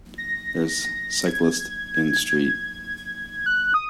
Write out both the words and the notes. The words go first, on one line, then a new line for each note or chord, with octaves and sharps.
There 's cyclist in street.
A#6
G#6
G#6
F#6
D#6